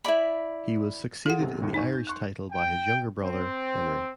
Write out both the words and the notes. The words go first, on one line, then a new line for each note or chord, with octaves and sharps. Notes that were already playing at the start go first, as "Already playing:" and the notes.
He was succeeded in the Irish title by his younger brother, Henry.
E4 A#4 D5 B5
F4 G#4 A4 F#5
B1 C3
D#2 A2
G#1 D#4 G#5 C#6
G6
C6 C#6 F#6
G5
C4